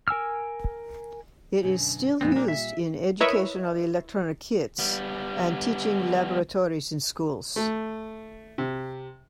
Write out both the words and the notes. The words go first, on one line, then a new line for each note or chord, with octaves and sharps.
It is still used in educational electronic kits and teaching laboratories in schools.
A#4 G#5 E6 F6
F#2 B2 D3
F2 A#2 G3 B3 C4
A#3 D4
E5
E4 A#4 B4 C#5 D#5 E5
G3 B3
A3
C3